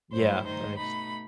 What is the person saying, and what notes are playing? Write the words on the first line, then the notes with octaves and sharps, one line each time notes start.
Yeah, that makes
G2 F#3 A3 E4 C5
D#3 A3 D#4 C5
B2 A3 D#4 B5